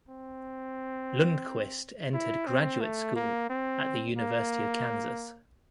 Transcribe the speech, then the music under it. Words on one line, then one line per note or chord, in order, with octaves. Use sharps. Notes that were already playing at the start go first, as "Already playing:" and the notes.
Lundquist entered graduate school at the University of Kansas.
C4
E4
C4
A3
A#3
C4
A#3